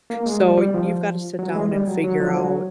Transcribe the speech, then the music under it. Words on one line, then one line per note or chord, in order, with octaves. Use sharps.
So, you've gotta sit down and figure out,
A#3
G#3
G3
G3
F3
F#3
G#3
G3
F#3
F#3
F3
F#3